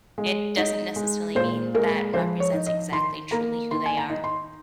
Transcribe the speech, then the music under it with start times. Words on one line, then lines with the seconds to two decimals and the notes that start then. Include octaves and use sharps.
It doesn't necessarily mean that represents exactly truly who they are
0.18 G#3
0.57 D#4
0.96 G#3
1.35 A#2 C5
1.74 G#3 A#4
2.14 F3 C5
2.40 C#5
2.53 D#4
2.67 D#5
2.92 D#3 C6
3.31 A#3 A#5
3.71 D#3 C6
3.86 G#5
3.97 A#5
4.10 D#4
4.24 C6